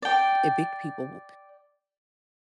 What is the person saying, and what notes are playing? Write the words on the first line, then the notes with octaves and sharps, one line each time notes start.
evict people w
D5 G5